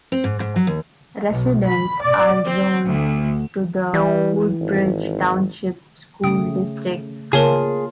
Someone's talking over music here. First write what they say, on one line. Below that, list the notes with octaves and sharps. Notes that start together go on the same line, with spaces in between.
Residents are zoned to the Woodbridge Township School District.
C4
G#2
G#2
F#3
D#2
B1
B5
D5
C4
D2
E3 G3
G#1
C#3 A3 G5 D#6
C#3 A#3 F4 G#4 A#4 C#5 A5